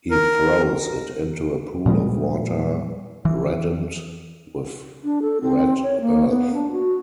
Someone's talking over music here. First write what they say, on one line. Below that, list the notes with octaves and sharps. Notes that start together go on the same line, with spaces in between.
He throws it into a pool of water reddened with red earth.
A#4
A#2 F3 G3 G#3
E3
D4
A4
C4
C#5
A#3
B3
D4
F#4